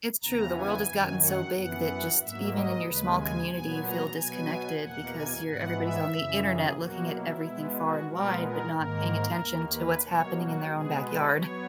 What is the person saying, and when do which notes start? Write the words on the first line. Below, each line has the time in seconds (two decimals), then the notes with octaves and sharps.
It's true, the world has gotten so big that just even in your small community, you feel disconnected because your everybody's on the Internet looking at everything far and wide but not paying attention to what's happening in their own backyard.
0.23 E2 C#3 E3 B3 A#5
0.57 G#5
0.89 F#2 D#3 F#3
1.22 F#5
1.54 F#2 E3 B3 F#5
2.20 G#2 F#3 A#3 E5
2.53 D#5
2.85 D#2 C#3 G#3 B4
3.18 G#5
3.50 A#2 F#3 B3 G#5
3.84 A#5
4.15 B2 F#3 B3 G#5
4.81 E2 B2 A#3 F#5
5.14 G#5
5.46 G#2 E3 B3 F#5
5.80 E5
6.13 F#2 C#3 E3
6.45 G#4
6.77 B2 F#3 A#3 F#4
7.11 E4
7.42 B2 G#3 B3
7.75 F#4
8.08 A#2 G#3 B3 A#4
8.41 A#4
8.73 G#2 D#3 A#3 A#4
9.38 D#2 D#3 A#3
9.71 B4
10.04 B2 F#3 A#3 C#5
10.37 F#4
10.70 B2 G#3 B3 G#4
11.02 B4
11.35 F#3 B3 C#5